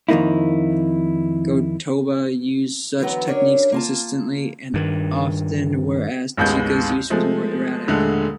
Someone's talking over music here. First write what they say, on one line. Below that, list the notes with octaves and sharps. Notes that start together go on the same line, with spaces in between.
Go-Toba used such techniques consistently and often, whereas Teika's use was more erratic.
F2 D#3 G#3 A#3 D#4 E4
D3 E3 F#3 B3
F#3 C#4 D4 A#4 C#5
A#3 F4 A5
G2 D#3
A1 D#2 G#3 B3 G6
F3 G#3 A3
D#1 D3 G#3 A3